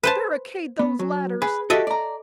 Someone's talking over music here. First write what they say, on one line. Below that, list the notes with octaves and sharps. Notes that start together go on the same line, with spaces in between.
Barricade those ladders!
B4 C5 A5
B3
F#3
G#4 B4
F#4 G4 A4 D#5 E5
D5 A#5